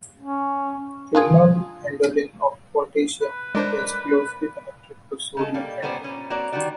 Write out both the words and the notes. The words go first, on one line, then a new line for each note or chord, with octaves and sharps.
Renal handling of potassium is closely connected to sodium handling.
C#4
D4 F4 G#4
B4
G#3 D4 A#4 C5 D5
C#3 G#3 A4
G3 A#3
A#2 G3 B3 C#4 C5 D5
A#2 C#4
A#3 C4 F#4 C#5 D5
D#3 G3 D4 F#4 D5